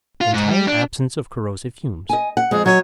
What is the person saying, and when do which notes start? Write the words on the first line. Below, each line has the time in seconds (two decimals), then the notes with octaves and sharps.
Entire absence of corrosive fumes.
0.21 F4
0.34 G#2
0.51 G3
0.67 D4
2.09 D#5 G#5
2.37 F#5
2.51 F2 G#3 G#4
2.66 F#3 C#5 D#5